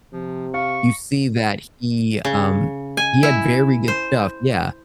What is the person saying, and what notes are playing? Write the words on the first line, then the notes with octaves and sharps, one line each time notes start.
you see that he, um he had very good stuff, yeah.
C3 F3
F5 C#6
C#3
G#5
E4
C5